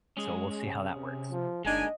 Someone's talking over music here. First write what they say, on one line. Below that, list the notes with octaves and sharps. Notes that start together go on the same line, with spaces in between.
So, we'll see how that works.
G#3 C#4 G#4
C3
C3
F3
G1 G#3 A#3 D4 D#4 D#5 G#5